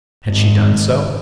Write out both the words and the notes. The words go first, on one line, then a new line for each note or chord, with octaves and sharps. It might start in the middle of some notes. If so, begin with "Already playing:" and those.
Had she done so?
G#1